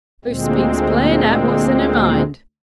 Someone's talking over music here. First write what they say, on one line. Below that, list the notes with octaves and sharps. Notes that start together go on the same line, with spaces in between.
'Hoo speaks plain out what's in her mind.
D2 A#2 G#3 C4